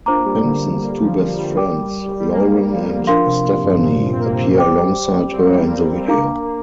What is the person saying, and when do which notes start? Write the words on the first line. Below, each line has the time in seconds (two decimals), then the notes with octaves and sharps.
Simpson's two best friends, Lauren and Stephanie, appear alongside her in the video.
0.06 A#3 D4 F4 C5 A#5 D6
0.25 G3
0.43 D3
0.62 D3
0.81 A#3
1.00 F3
1.19 F3
1.37 G3
1.56 A#4 G5 D6
2.20 G3
2.31 A#3
2.73 F3
2.82 G3
3.00 D3
3.06 F3 D4 A#4 F5 C6
3.26 C3
3.45 A#2
3.63 G2
3.81 A#2
4.01 A#2
4.11 C4
4.20 A#3
4.38 A#3
4.57 G3 C5 G5 D6
5.32 C4
5.44 A#3
5.57 G3
5.68 A#3
6.00 C4
6.07 A#3 D4 A#4 F5 A#5 D6
6.45 A#3